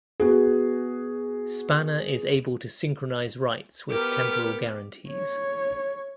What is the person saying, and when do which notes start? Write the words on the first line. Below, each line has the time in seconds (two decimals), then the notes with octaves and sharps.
Spanner is able to synchronize writes with temporal guarantees.
0.20 B3 F#4 G#4
3.91 B3 G4 A#4
5.10 C#5